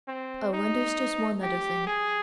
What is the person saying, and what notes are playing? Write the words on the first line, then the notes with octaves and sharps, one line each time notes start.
Oh, and there's just one other thing.
C4
D#4
G4
G#4